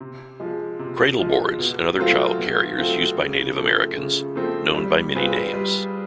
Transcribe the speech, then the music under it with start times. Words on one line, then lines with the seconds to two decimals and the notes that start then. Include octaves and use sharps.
Cradle boards and other child carriers used by Native Americans, known by many names.
0.01 C3
0.40 F3 G#3
0.79 C3
1.19 F3 G#3
1.59 B2
1.98 F#3 A3 C4 F4
2.38 B2
2.78 F#3 A3 C4 F4
3.17 C#3
3.56 F3 A3 C4
3.96 C#3
4.35 F3 A3 C4
4.74 G3
5.15 C4 F4 G#4 B4
5.54 G3